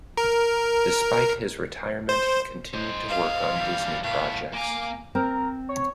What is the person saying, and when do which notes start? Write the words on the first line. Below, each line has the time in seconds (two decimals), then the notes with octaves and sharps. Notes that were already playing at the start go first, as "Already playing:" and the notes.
Despite his retirement he continued to work on Disney projects.
0.17 A#4
2.09 C5
2.74 C5 D#5
3.08 F5
3.55 E3 G3
4.03 A2 B3 F5
4.53 A#3 F5 G#5 D6
5.15 C4 A#4
5.69 C#5